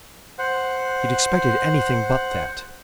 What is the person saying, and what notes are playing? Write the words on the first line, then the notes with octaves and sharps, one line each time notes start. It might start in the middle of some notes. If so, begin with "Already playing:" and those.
He had expected anything but that.
C5 F#5